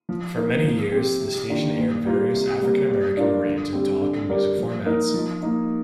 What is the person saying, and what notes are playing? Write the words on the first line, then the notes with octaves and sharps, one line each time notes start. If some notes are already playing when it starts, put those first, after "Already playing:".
For many years, the station aired various African-American-oriented talk and music formats.
F3
A#3 D#4 A#4
F3
C4 G4
C3
D#3 A#3 D4 F4
A#2
G3 A#3 F4
C3
G3 A#3
G3
D4 F4 A#4
D3
G3 C4
D3
G3 D4 G4 A#4
F3
A#3 D#4 A#4
F3
A#3 D#4